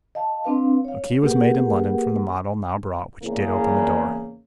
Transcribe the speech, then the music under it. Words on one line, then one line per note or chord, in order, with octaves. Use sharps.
A key was made in London from the model now brought which did open the door.
D#5 F5 A5
C4 D4 B4 F5
C#5 F5
A#3 G4 G#4 A#4 B4 F#5
E2 C#3 A#3